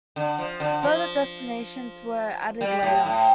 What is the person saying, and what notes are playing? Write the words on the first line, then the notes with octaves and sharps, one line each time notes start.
Further destinations were added later.
D3
F3
D3
F3
G3
A2
A2